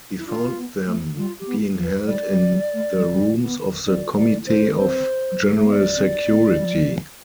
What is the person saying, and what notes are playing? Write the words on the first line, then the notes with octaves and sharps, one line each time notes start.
He found them being held in the rooms of the Committee of General Security.
E4
D4 F4
B3
A3
G3 F4
G4
B3
F3
B4
G3 D5
G3
G3
A3
G3
F3
G3
B3
C4 D5
E4 D5
D4 C5
C4 C5
G3
A3 E5
B3 E5
D5
C4
B3
G3
F3
G3
F3